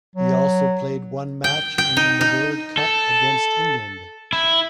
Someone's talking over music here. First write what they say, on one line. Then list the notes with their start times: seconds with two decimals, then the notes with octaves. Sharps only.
He also played one match in the World Cup against England.
0.16 F#3
1.44 G5
1.78 G5
1.97 D#4
2.21 D#4
2.78 A4
4.33 E4